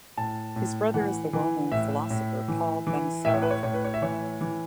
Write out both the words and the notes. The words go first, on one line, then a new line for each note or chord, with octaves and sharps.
His brother is the well-known philosopher Paul Benacerraf.
A2 A5
A2
E3 F#5
E3
A2 E5
A2
E3
E3
A2 E5
C#5
B4
C#5
A2 C#5
B4
C#5
E5
E3 C#5
E3